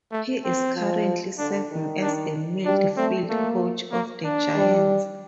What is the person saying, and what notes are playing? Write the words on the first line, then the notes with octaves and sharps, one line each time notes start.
He is currently serving as the midfield coach of the Giants.
A3
C4
F3
D3 D4
D#3
D4
G3 D4
A3 C4
A3 A#3
A#3
D4
G3